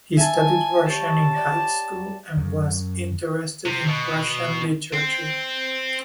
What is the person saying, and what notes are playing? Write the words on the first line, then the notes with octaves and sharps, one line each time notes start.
He studied Russian in high school and was interested in Russian literature.
E5 G#5 A5
G4 C#5 A5
D5 G5
F#2
C3
B2
C4